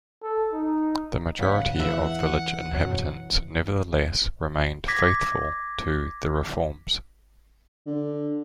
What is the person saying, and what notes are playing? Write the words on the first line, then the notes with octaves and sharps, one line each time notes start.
The majority of village inhabitants, nevertheless, remained faithful to the Reforms.
A4
D#4
E2 G2 C#3 F#5 B6
E2 E3 E5
F#2 B2 F#3
D6 G#6 A#6 B6
D3